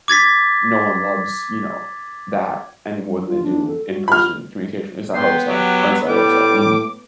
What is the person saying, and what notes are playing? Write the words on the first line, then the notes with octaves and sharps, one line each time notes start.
no one loves, you know, that any more than they do in-person communication at least I hope so. At least I hope so, mhm.
D6 G#6 A6 B6
F4
D4
A4
F#4
F4 B5 F6
B3 G5 C6
F#3 G4
A2 G3 D6